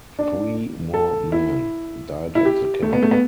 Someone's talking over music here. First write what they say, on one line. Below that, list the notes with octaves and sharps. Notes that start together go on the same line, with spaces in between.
Three more men died at the camp.
D4
A4
E4
E4
G4
A3
B3
A3
B3